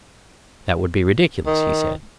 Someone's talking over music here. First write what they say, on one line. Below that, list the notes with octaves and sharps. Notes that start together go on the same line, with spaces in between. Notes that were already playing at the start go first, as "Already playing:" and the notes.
That would be ridiculous, he said.
D#3